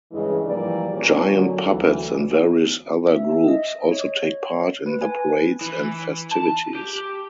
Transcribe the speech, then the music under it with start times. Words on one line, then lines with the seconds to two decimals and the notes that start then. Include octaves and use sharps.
Giant puppets and various other groups also take part in the parades and festivities.
0.12 G2 C#3 E3 G#3
0.45 G#2 E3 F3 G3 A#3 D5
0.95 A#2 C#4
1.30 D3 F#3
1.66 D2 E3
3.08 E5
3.48 D#5
3.91 C#5
4.86 B4
5.01 G#5
5.61 E3
6.31 A5
6.75 G4